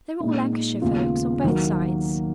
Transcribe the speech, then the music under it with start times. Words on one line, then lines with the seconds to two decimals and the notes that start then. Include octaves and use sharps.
They were all Lancashire folks, on both sides.
0.20 A#2 G#3 D#4
0.82 D#2 C#3 G#3 B3 F4
1.44 D#2 D#3 F#3 A#3